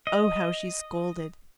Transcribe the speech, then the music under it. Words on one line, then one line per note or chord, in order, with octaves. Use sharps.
Oh, how she scolded.
D#5